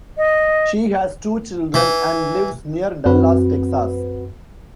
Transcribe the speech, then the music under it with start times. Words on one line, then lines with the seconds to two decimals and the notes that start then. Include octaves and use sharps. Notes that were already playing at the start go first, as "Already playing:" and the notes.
She has two children and lives near Dallas, Texas.
0.18 D#5
1.74 E3
3.06 F#2 C4 F#4 B4